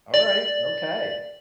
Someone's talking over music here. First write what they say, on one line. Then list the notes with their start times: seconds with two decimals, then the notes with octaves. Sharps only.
Alright, okay.
0.14 D5